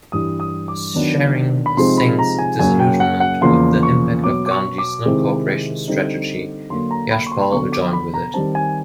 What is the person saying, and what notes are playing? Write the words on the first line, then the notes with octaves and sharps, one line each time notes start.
Sharing Singh's disillusionment with the impact of Gandhi's non-cooperation strategy, Yashpal joined with it.
G2 E3 G3 D#6
D#6
D6
D#3 F#3 B3 D4
B5
C3 F3 G#3 C4 D#4 C6
B5
A#5
G#5
F#2 C#3 F#3 A#3 C#4 G#5
G5
F#5
F#5
E2 C#3 F3 A#3 C6
C#6
B2 F#3 B3 D6
D6
C#6
D6
C3 D#3 G#3 C4 E4
D3 G3 C4 D#4
D3 F#3 A#3 C6
A#5
B5
C#6
C6
D3 F#3 B3 C#6
D6
B5
A#5
D#3 G3 C4 A5
G#5